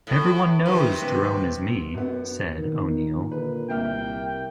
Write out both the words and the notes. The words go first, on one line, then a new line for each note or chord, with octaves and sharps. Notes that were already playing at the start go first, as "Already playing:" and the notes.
"Everyone knows Jerome is me", said O'Neal.
A2
C3 D#3 B4
F#2 B2 B3
F#2 B3
A#2 D#3 A#4
D3 B4
C2 A#3 E5 G5 F6